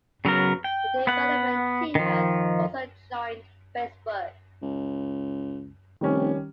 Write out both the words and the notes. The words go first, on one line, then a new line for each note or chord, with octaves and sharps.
The development team has also joined Facebook.
C#3 F#3 B3 A#4
G5
B3 F#5
D#3 F3
C#2
F1 D#3 G3 C#4